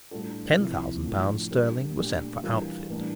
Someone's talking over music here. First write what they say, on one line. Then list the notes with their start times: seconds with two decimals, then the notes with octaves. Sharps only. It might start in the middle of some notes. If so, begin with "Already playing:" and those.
Ten thousand pounds sterling were sent for outfit.
0.11 A2 G3 D4 F4 A4
0.58 C3 F3 A#3 E4
1.05 A2 F3 A3 D4
1.51 G3 D4 G4 A#4
1.97 A#2 A3 D4 G4
2.43 E3 G3 D4 F4 A#4
2.90 A2 E3 G3 A#3 D4